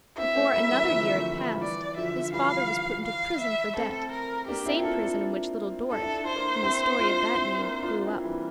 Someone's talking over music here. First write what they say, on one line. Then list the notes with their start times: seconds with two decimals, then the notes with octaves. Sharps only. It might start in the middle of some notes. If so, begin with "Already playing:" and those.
Before another year had passed, his father was put into prison for debt--the same prison in which Little Dorrit, in the story of that name, grew up.
0.18 C4 E4 E5
0.35 A3 C4
0.53 G3 A#3
0.71 E3 G3
0.90 D3 F3
1.13 F3 A3
1.37 E3 G3
1.61 E3 D5
1.97 D3 F3 E5
2.33 E3 G3 F5
3.05 F5
3.40 E5
3.76 A3 C4 A4
4.11 A#4
4.47 A#3 D4 G4
4.65 C4 E4
4.79 E4
4.84 D4 F4 A4
5.02 D4 F4
5.91 D4 A4
6.02 E4
6.14 D4
6.25 E4 C5
6.36 A#3 D4
6.63 C4 E4
6.99 D4 F4
7.35 C4 E4
7.58 A#3 D4
7.82 D4 F4
8.06 C4 E4
8.24 E3 G3